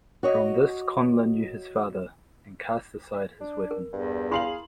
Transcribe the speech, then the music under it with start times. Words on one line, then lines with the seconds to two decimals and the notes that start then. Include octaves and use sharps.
From this Connla knew his father, and cast aside his weapons.
0.23 F#4 C#5 D#5
3.41 D4
3.71 A#4
3.93 E2 G2
4.31 E4 G#4 F5 B5 C6 F#7